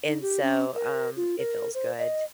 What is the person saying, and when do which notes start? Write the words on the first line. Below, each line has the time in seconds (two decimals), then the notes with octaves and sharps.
And so, um, it feels good.
0.07 D#4
0.22 G4
0.42 C#4
0.75 A#4
1.16 F4
1.38 A#4
1.74 C5
1.99 D#5